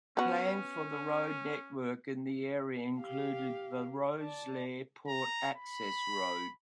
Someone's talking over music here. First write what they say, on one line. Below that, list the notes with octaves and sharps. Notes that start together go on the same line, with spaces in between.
Plans for the road network in the area include the Rosslare Port Access Road.
B3 C#4 F#4
G4 F5
D5 A5
A#5
B5